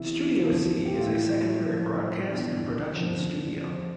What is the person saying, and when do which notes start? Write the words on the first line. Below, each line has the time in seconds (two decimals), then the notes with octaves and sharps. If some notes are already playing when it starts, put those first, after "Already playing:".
Studio C is a secondary broadcast and production studio.
Already playing: E2 C3 E3 E4
0.36 E2 D3 F3
0.85 G4
0.94 F4
1.00 A2 E3 E4
1.65 A2 F3
2.30 E2 B2 D4
2.94 F2 D3 F3
3.60 F2 C3 F3